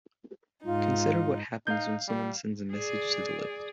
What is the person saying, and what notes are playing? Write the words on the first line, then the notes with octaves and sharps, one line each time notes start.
Consider what happens when someone sends a message to the list.
G#2 D#4 F4
D#4 F5 G6
G3
G#4 D5